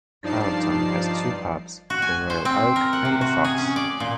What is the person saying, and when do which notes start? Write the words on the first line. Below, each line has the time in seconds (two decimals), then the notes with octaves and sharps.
Carlton has two pubs, The Royal Oak and The Fox.
0.23 G2 F3 D#4 D5 A5 C7
1.90 F#4
2.02 G#5
2.30 C5
2.45 C4
2.76 A#4
2.93 F#5
3.05 C3
3.21 F#4
3.44 G#4
3.58 C#4
3.76 D5
4.00 A#2